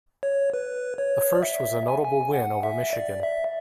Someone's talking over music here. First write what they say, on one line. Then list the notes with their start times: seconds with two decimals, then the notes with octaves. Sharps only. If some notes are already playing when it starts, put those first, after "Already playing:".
The first was a notable win over Michigan.
0.23 C#5
0.53 B4
0.98 C#5
1.35 D5
1.43 E5
1.88 G#5
2.05 G#5
2.34 F#5
2.63 E5
2.93 D5
3.23 E5